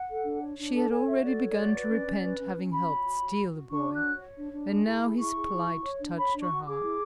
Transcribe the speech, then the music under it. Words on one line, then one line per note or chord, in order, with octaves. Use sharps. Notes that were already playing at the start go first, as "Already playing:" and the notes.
She had already begun to repent having helped steal the boy, and now his plight touched her heart.
Already playing: F#5
A4
D4
C#5
D4
A4 A5
C#5 G#5
F#4 E5
A4 D5
C#5
D5
F#4
B4
C#4
C#4
B4
C#4
C#4
F#4 B5
C#5
F#4
F#4
F#4
F#4
D4 C#6
F#4
F#6
C#5
C#5
D4
D4
G#4
E4
G#4
E4 C#6
G#4
E4
F#4
C#5
D4
C#5 B5
D4
C#6
F#4
G#4 D6
E4